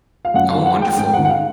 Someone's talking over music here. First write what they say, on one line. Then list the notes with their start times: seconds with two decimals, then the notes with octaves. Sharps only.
Oh, wonderful.
0.25 F5
0.34 F#2 F#5
0.50 F5
0.55 D#3
0.66 F#5
0.77 G#3
0.82 G5
0.98 G#2 G5
1.13 F#5
1.18 D#3
1.25 F#5
1.29 F5